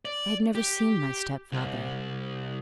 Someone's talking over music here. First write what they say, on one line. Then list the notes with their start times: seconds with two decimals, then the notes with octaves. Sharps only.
I had never seen my stepfather.
0.05 D5
0.55 G4
1.52 C2